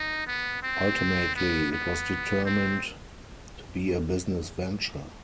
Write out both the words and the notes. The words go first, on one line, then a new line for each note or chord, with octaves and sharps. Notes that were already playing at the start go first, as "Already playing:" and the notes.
Ultimately, it was determined to be a business venture.
Already playing: D#4
B3
C4
B3
B3
C4